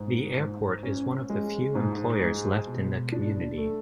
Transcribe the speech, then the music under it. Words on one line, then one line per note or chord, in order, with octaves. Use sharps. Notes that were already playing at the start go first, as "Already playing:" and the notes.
The airport is one of the few employers left in the community.
Already playing: G#2
G#2
C#4
G#3
G#2
G#3
B2
D4
A3